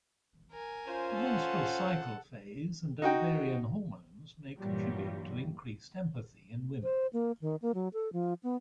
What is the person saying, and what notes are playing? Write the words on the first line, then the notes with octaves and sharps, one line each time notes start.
The menstrual cycle phase and ovarian hormones may contribute to increased empathy in women.
A#4 G#5
C#4 F4 C5
A4 F#5
D#4 F#4 G5
G2 A#2 E3 F#3 G3
C5
A#3
D#3
A#3
F#3
A4
F3
B3